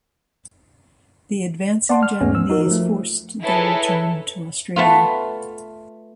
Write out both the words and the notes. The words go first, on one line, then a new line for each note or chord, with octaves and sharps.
The advancing Japanese forced their return to Australia.
D5 F#5 A5 C6
F6
E2 G#2 G#3 A3 B3 C#4
E6
D#4 F#4 A#4
F3 A3
E4 G#4 A4 B4 C#5 A#5
A3 B3 F4